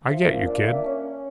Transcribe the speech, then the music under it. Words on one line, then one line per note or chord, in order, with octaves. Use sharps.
"I get you, kid."
F3 E5
A#2
F5
D4 F5
F5
A#3 E5
C#4
C#4